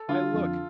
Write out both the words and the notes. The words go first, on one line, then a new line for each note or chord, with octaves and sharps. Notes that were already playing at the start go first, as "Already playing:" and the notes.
Why, look!
Already playing: A4
D3 F4
F2